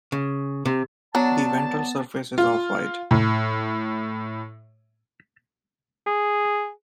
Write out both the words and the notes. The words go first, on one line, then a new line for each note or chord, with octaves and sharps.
The ventral surface is off-white.
C#3
C3
F#3 B3 D4 A5
F4
A2
G#4